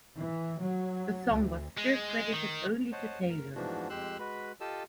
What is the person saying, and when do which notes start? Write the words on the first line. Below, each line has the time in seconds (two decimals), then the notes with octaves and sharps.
The song was still credited only to Taylor.
0.17 E3
0.60 F#3
1.27 D2
1.77 G#3
2.33 D#3
2.92 C5 C#5 D#5 F#5 A5
3.29 A#4
3.55 G#2 E3 F3 B3 D4 F#4
3.90 F2 G#3 G4 C6 E6 F#6
4.19 G#3 F#4 B4 B5
4.60 F4 G4 A4 D#5 A5 E6